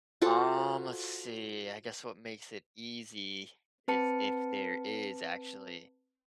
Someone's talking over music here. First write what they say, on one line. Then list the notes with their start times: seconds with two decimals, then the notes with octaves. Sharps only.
Um, let's see, I guess what makes it easy is if there is actually,
0.22 F4 F#4 A4 C5
3.88 C4 B4 A5 C#7